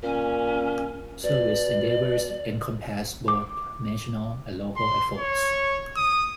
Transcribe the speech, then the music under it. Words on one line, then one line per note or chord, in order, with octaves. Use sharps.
Service endeavors encompass both national and local efforts.
A#2 C#4
B2 D5
D6
C6
C#5
D#6